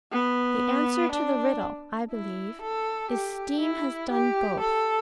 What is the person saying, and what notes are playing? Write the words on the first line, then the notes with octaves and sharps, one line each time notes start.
The answer to the riddle, I believe, is--Steam has done both.
B3
D4
E4
A4
G4
E4
G4
A4